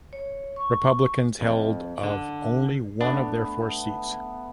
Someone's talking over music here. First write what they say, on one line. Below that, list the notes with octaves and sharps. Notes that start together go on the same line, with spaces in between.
Republicans held of only one of their four seats.
C#5
C#6
F2
D3
A3 B3 D4